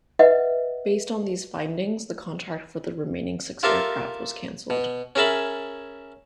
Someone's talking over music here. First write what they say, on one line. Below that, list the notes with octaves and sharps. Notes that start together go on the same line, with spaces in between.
Based on these findings, the contract for the remaining six aircraft was cancelled.
B4 D#5 E5 F#5
F4 G4 A4 A#4 E5 F5
B2
C#4 G#4 A#4 E5 A5 B5